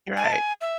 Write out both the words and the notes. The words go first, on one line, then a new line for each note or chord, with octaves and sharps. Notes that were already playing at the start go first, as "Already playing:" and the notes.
You're right.
G#5
A5
G#5
E5